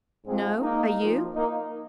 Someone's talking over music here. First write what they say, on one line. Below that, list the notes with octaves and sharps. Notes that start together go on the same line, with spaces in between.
"No; are you?"
G#2 F3 G#3 C4
A#3 D#4
A#2 F3
A#3 D#4